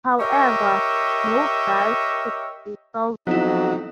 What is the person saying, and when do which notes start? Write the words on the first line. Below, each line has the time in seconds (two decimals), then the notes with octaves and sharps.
However, no glyphs could be salvaged.
0.20 G4 A#4 C#5 D#5 E5
3.27 F2 F#3 B3 D#4 E4